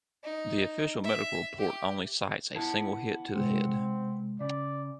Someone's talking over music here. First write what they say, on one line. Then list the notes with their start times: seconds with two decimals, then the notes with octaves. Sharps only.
The official medical report only cites a single hit to the head.
0.23 D#4
1.04 E5
1.58 G4
2.55 B3 E4 A5
3.35 C3 G#3 C4
4.40 C#3 D5